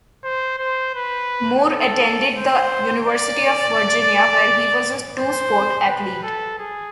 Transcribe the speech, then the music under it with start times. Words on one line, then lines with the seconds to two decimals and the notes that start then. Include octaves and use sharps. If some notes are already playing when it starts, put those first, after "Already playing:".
Moore attended the University of Virginia, where he was a two-sport athlete.
0.24 C5
0.58 C5
0.95 B4
1.65 A4
2.36 C5
3.06 D5
5.18 C5
5.88 B4
6.23 A4
6.59 G#4